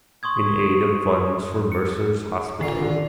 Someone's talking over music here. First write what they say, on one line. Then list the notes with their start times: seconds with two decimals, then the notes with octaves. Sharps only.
In aid of funds for Mercer's hospital.
0.23 C6 C#6 D#6 G#6
1.72 C#7
2.61 D3 D#3 F4 C7